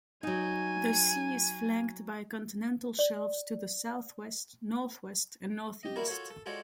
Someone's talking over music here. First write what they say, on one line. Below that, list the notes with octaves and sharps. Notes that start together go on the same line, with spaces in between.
The sea is flanked by continental shelves to the southwest, northwest, and northeast.
F#3 D#4 G#5
D5
G4 D#5
A#3 E4 F#4 A#4 D5
F4 F#4 A4 C#5
A4
G#3 F4 F#4 A4 C#5 D5